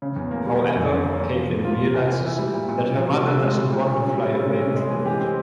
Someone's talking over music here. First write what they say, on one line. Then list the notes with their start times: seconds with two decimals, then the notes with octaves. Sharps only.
However, Kaitlin realizes that her mother doesn't want to fly away with Bullit.
0.02 C#3
0.16 E2
0.31 A#3
0.46 G3
0.61 E3
0.75 F2
0.90 C#4
1.05 A#3
1.20 A#3
1.35 F3
1.50 F3
1.65 F4
1.79 A#3
1.94 E3
2.09 E3
2.24 E4
2.39 G3
2.54 A#2
2.68 A#2
2.83 C#4
2.98 F3
3.13 C3
3.28 C3
3.43 G#3
3.57 G3
3.72 A#2
3.87 A#2
4.02 C#4
4.17 G3
4.32 C3
4.47 C3
4.61 C#4
4.76 G#3
4.90 E3
5.05 G4
5.21 C4